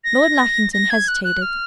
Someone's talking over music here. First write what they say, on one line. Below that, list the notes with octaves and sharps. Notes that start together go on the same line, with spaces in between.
Lord Lackington hesitated.
A#6
A#6
G#6
F#6
F#6
F6